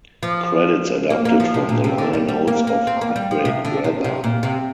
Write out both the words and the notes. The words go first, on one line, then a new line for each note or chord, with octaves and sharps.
Credits adapted from the liner notes of "Heartbreak Weather".
F3
A#3
A#3
F3
C3
A#2
C3
D3
G3
G3
A#3
A#3
C4
A#3
G3
F3
C3
D3
C3
C3
A#2
C3